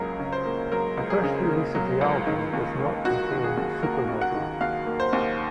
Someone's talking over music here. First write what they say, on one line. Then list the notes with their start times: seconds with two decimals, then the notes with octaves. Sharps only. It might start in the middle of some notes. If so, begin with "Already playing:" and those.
The first release of the album does not contain "Supermodel".
Already playing: C#2 C#3 F#3 A#3 G#4 A#4
0.20 C#3
0.32 C5
0.46 A#3
0.72 F#3 A#4
0.97 C#2
1.10 G#4
1.24 C#3
1.49 A#3
1.75 F#3
2.01 C#2
2.27 D#3
2.53 D#2
2.79 A#3
3.05 D#2 F#4
3.31 D#3
3.44 G#4
3.57 D#2
3.83 A#3 A#4
4.08 D#2
4.21 F#5
4.35 D#3
4.61 D#2 F5
4.87 A#3
5.00 C5
5.13 D#2